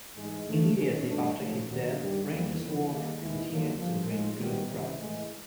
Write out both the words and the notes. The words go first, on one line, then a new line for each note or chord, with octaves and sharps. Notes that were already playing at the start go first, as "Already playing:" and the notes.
Immediately after his death, Ranger's work continued to bring good prices.
G#2 E3 G#3
D3 F3 A3
D#3 G#3 C#4
G2 E3 A3 D4
G#2 F3 A3 C#4
D#2 D#3 F#3
G2 D#3 G3
E2 C3 E3 G3 A#3
F2 C#3 E3
D#3 G3 A#3 D#4 G#4
D#2 D#3 G#3 B3 E4
G1 F2 D3 F#3 A#3
G2 D3 F3
G#2 F3 G#3
C2 C3 D#3 G3 B3
C#2 C3 E3
A2 E3 G#3